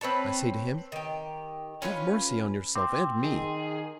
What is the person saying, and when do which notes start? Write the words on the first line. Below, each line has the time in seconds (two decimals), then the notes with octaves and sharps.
I say to him, "Have mercy on yourself and me."
0.01 C4 B4 C#5 A5
0.92 D#3 G4
1.82 C#4 F4 A#4 B4
2.76 C4 D6
3.25 D#3 G#4